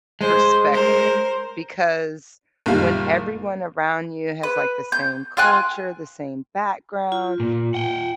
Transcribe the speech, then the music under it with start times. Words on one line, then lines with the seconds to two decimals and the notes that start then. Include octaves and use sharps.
perspective, because when everyone around you has, like, the same culture, the same background,
0.21 G#3 C5
0.73 A#4 C5
2.66 F#1 A#2 D#3 G3 F4
4.43 B4
4.92 G6
5.37 F4 G5 G#5 F#6
7.12 F4
7.40 A#2
7.74 F#5 G5